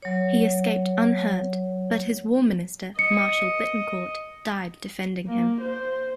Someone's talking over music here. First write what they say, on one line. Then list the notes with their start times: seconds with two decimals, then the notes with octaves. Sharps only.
He escaped unhurt, but his war minister, Marshal Bittencourt, died defending him.
0.02 F#3 C#5
2.99 D#5 C#7
5.27 A#3
5.61 C5